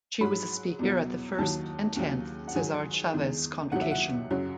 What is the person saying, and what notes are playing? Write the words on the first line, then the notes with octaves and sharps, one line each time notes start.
She was a speaker at the first and tenth Cesar Chavez Convocation.
G#2 F#3 B5
E2 B2 F#3
D#2 D#3 F#3 A5
D#2 C#3 F#3
F#5
G#2 D#3 F#3 G#5
E2 D#3 G#3
D#2 D#3 F#3 F#5
E5
F#5
F#2 C#3 F#3